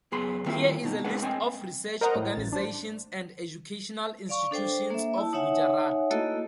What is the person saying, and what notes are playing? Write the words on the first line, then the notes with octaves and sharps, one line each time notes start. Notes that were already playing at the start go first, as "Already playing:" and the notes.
Here is a list of research organisations and educational institutions of Gujarat.
F#2 B3 G#4 B5 C6
D#3 G3 A#3 C4 E4 F4
B2 D#4
G#3 C#4 D4 G#4 B4 F#5
C4 D#5 G5 G#5
A#4 C5 D#5 F#5 A#5
A2
A1 A6
D4 C5
D5 F5 C#6
D4 A4 C5 G5
A#3 E5
E4 A5
D#4 C#5 E5 F#5 G#5
A3 A#3 E4 F#4 A4 D#5